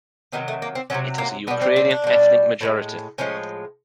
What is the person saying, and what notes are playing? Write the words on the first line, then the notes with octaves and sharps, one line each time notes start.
It has a Ukrainian ethnic majority.
C3 D#3 F#3 B3
A3
A#3
C4
C3 D#3 F#3 C#4
A#3
B2 G3 B3
C4
C4
D4
B2 G3
A2 F3 G#3
A2 F3 G#3 C#4